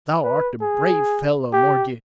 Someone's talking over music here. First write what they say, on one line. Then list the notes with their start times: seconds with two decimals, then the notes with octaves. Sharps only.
Thou art a brave fellow, mordioux!
0.24 B4
0.61 G#4
1.53 G4